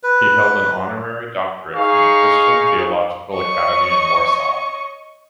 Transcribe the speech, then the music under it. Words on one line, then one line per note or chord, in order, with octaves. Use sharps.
He held an honorary doctorate from the Christian Theological Academy in Warsaw.
B4
D#4 G#4 F5 C#6
C#5 D#5 C#6